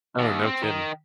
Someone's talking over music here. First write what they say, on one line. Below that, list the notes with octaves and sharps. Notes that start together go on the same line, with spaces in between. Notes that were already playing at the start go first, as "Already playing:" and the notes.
Oh, no kidding.
D#2
C4
D#3